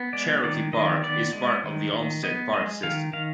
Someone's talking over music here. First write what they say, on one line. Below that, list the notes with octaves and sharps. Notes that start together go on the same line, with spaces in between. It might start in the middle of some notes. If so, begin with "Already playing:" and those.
Cherokee Park is part of the Olmsted Park system.
Already playing: B3
G#3 D5
D#3 D5
D#3 D#5
B3 D5
G#3
D#3
D#3
B3 D#5
G#3 D#5
D#3 F5
D#3 F5